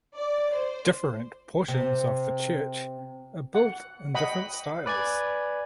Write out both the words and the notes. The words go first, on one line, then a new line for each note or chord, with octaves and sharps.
Different portions of the church are built in different styles.
D5
C5
C3
F#5
D#5 F#5 G5 B5
B4 D5 G#5 G#6